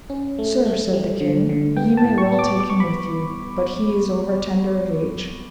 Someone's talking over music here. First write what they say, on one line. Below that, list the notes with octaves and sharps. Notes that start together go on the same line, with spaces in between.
Sir, said the king, ye may well take him with you, but he is over tender of age.
C#4
A3
A3
G3
D3
D3
B3 G5
A5
A2
C#6
B3
D6
G3 D6
C#6
B5